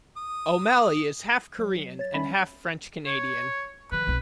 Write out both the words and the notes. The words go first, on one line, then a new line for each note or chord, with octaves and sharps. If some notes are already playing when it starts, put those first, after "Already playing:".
O'Malley is half Korean and half French-Canadian.
D#6
F#3
C#5 A6
G3 C#4 E5 B5
C#5
D#3 F3 B4
B1 C4